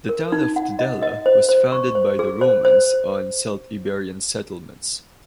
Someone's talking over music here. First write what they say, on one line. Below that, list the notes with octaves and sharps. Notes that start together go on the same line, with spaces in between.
The town of Tudela was founded by the Romans on Celt-Iberian settlements.
A#4
D#4
F#5
D#5
D#5
C5
C5
C#6
C5
G#4
C5
C5